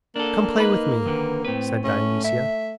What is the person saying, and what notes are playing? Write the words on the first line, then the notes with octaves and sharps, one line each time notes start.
"Come play with me," said Dionysia.
A#3 D4 A4
D#4 B4 B5
D3 D#3 B4
A2 C4 B4
A3 C#4
E5